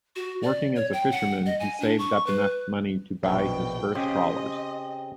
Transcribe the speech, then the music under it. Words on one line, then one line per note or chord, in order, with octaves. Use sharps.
Working as a fisherman, he saved up enough money to buy his first trawlers.
F#4
D5
C#5
G5
F#5
D#5
G#5
D4
C#6
B4
A#1 B2 G5
C#3 C4 G4 G#4 D#5